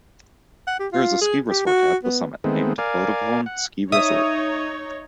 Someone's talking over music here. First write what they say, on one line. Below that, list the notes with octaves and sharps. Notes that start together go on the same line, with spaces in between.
There is a ski resort at the summit, named Vodafone Ski Resort.
F#5
G4
F4
G#4
G4
F#4
B3
D#3 G#3 A3 B3 C4
A#4 D5 F5 G#5
F#5
D#4 C#5 E5 D#6